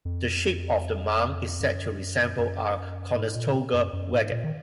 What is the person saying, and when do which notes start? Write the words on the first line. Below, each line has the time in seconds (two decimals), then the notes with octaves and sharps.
The shape of the mound is said to resemble a Conestoga wagon.
0.05 F2
1.61 F#2
2.39 F#2
3.15 G#2
3.36 A#2
3.74 F#2
3.93 F#2
4.13 G#2
4.31 A#2
4.44 D#3